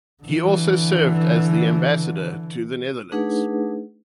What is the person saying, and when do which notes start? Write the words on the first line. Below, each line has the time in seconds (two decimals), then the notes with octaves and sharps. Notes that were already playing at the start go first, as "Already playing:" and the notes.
He also served as the ambassador to the Netherlands.
0.23 D3 E3
3.12 A3 D4 D#4 G#4 B4 F#5